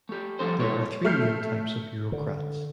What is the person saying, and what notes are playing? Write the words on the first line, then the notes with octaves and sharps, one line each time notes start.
There are three main types of Eurocrats.
A3 G4
F3 G3 A3 D4 A4 C5
G#3 A3 E4 A4 C#5
A3 F6 G6 C7
D3